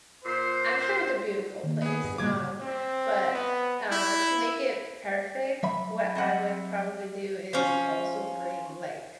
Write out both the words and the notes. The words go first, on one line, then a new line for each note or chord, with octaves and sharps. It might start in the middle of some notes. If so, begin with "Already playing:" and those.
I'm sure it's a beautiful place, um, but, uh, to make it perfect, what I would probably do is also bring, like,
A#2 C5
D#3 A#3
B3 G#4
G2
A2 C#3 G3 G#3 A#3 F#4 D6 G#6
C4
B3
E4
F#3 E5 B5
C4 D#5 F#5
F3 C#4